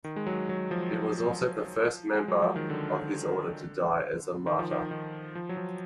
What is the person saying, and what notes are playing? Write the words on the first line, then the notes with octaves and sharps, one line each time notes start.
He was also the first member of his Order to die as a martyr.
D#3
G#3
F#3
F#3
F3
F3
G#3
F#3
F3
D#3
D3
D#3
F3
D#3
D#3
F3
F#3
F3